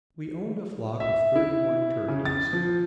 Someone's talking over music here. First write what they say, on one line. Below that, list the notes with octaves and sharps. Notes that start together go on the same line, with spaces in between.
We owned a flock of thirty-one turkeys.
E5
E4
C#3
A6
F3